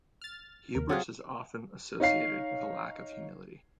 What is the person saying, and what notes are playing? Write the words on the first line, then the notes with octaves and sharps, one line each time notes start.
Hubris is often associated with a lack of humility.
F6 A6
D#2 A#4
F#3 C4 F4 G4 G#4
D#4 C#5 F5 C7